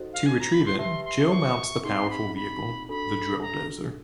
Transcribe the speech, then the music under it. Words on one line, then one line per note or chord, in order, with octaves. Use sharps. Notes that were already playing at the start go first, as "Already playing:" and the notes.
To retrieve it, Jill mounts the powerful vehicle, the Drill Dozer.
Already playing: D#4 F#4 A4 C5 D#5
F5
G#5
A#5
B5
C6
G4 B4 E5 A5 C6
C6
C#6
C4 D#4 G#4 C6
B5
B5
D4 F#4 A4 B5
A#5